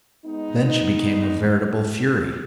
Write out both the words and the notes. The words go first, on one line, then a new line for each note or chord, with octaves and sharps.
Then she became a veritable fury.
G#3 B3 D#4